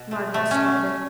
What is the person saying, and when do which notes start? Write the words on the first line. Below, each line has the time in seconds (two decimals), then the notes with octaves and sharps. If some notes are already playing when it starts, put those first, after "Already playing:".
Margaret started.
Already playing: B2
0.11 A3
0.34 B2 A3
0.51 C#4
0.56 A3